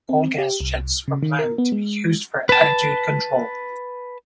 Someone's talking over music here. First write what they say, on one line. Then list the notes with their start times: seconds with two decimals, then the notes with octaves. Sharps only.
Cold gas jets were planned to be used for attitude control.
0.09 C4
0.38 G4
0.61 C2
1.08 C#3
1.23 D#3
1.39 A#4
1.58 B3
1.72 G#3
2.49 B4 A5